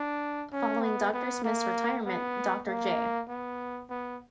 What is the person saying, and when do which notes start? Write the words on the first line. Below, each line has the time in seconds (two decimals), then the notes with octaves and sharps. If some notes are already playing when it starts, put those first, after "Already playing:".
Following Doctor Smith's retirement, Doctor J.
Already playing: D4
0.52 C#4
0.83 B3
1.14 B3
1.45 A#3
2.06 B3
2.67 A#3
3.29 B3
3.90 B3